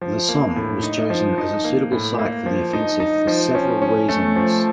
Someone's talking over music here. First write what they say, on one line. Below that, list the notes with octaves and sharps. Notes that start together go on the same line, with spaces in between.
The Somme was chosen as a suitable site for the offensive for several reasons.
F3
A#3
A2
D#4
F3
D#4
A#3
A2
A#3
F3
D#4
D#4
F3
C#4
C#4
A3
F3